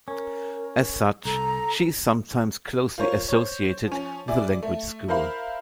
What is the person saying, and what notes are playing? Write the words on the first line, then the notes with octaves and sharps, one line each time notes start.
As such, she is sometimes closely associated with the Language School.
C#4 A#4
C2 A4 A#5
F4 A#4 C5 C#5
C5 C#5
F3 C#4
E4 G#4 D5
A3
E4 A#4 C5 F5 B5